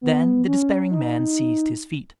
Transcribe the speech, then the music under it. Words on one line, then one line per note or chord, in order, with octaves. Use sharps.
Then the despairing man seized his feet.
B3
C#4
D#4